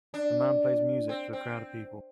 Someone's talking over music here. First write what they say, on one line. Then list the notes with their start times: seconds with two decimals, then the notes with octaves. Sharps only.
A man plays music to a crowd of people.
0.14 D4
1.09 C4
1.33 C4